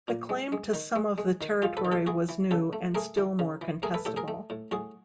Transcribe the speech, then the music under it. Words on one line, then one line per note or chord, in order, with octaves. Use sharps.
The claim to some of the territory was new and still more contestable.
A#2
G#3
G#3
D#3
G#3
G#3
D#3
G#3 F4 G4
A4 B4
D#3
G4 A4
E3 F#4 G#4
E3
C#3 G4 A4
A3
A3 G#4 A#4
E3
C#3
E3
A3 G#4 A#4
A4 B4
A2 G4 A4
G#4 A#4
A3
A2
A2 F#4 G#4